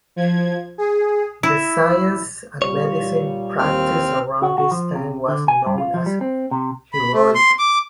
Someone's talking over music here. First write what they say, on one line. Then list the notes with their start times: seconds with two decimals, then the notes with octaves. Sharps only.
The science and medicine practiced around this time was known as "heroic".
0.16 F3 G#6
0.78 G#4
1.43 E4
2.62 A#2 G3 F4 C#5
3.59 D#2 C4 F6
4.42 F#4
4.58 F#4
4.71 F3
4.95 C3
5.28 D3
5.48 G#5
5.66 G2
5.78 F4
5.94 F3
6.06 G3
6.21 C4
6.51 C3
6.93 B5
7.14 A3
7.35 C6
7.59 D6